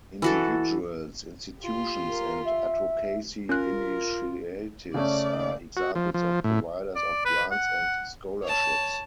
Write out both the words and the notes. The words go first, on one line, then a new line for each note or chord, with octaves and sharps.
Individuals, institutions, and advocacy initiatives are examples of providers of grants and scholarships.
E3 F#4 A4
F4 G4
A#4
E5
C#4 F4 A#4 F#6
C#3 A3 C#4 D5
F#4
F3
F3
A2
D5
B4
F#5
C#5 A5